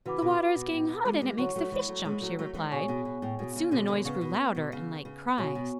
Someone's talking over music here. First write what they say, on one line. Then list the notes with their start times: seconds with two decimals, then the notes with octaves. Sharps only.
'The water is getting hot, and it makes the fish jump,' she replied; but soon the noise grew louder and like cries.
0.05 C#3 E3 F#4 B4 F#5 B5 D6
0.22 B2 D3
0.55 B2
0.72 A2
0.89 B2
1.05 E3 G#3
1.22 E3 G#3
1.38 D3 F#3 C#5 F#5 C#6
1.56 F#3 A3
1.72 E3 G#3
1.88 F#3 A3
2.05 E3 G#3
2.21 F#3 A3
2.39 F#3 A3
2.54 E3 G#3
2.71 B2 G#4 C#5 G#5 C#6
2.88 B2
3.05 B2
3.22 A2
3.39 B2
3.56 C#3
3.71 B2 D3
3.88 B2 D3
4.05 C#3 B4 F#5 C#6
4.21 B2
4.55 B2
4.72 C#3
5.05 C#3
5.38 B2 F#4 C#5 G#5 C#6
5.55 B2